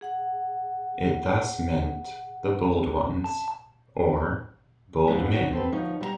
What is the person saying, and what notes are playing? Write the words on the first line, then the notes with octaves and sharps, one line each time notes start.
It thus meant "the Bold ones" or "Bold men".
G#4 F#5
A5
F3 G#3 A3 B3 D4 E4
D#4 F#4 G#4 C#5
C4 A4 B4
D2 F3 D#4 C#5
G3 E4 A#5